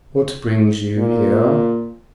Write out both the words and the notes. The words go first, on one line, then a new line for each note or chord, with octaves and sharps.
"What brings you here?"
A#2